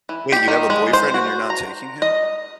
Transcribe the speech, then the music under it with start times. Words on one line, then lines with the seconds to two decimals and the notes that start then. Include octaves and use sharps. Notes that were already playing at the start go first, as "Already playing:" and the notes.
Wait, you have a boyfriend and you're not taking him?
0.09 E3
0.32 G4
0.48 D#3
0.70 G#3
0.93 C5
1.14 F#4
1.50 A#5
2.02 D#5